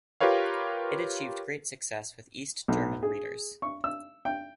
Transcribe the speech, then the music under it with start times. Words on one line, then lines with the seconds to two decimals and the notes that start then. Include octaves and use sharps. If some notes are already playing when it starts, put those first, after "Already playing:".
It achieved great success with East German readers.
0.20 F4 G4 A#4 B4 C#5 F5
2.68 B1
3.03 G#4
3.62 C#6
3.84 E6
4.25 G5